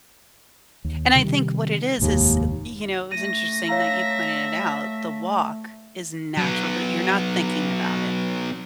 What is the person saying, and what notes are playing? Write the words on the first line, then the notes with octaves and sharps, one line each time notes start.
And I think what it is is, y you know, it was interesting that you pointed it out. The walk is natural, but you're not thinking about it.
D#2
C3 D#3 G3
F1 D#2 G#2 D#3
A3 A#6 D#7
C#5 E5 F5 A#5
F#3 B3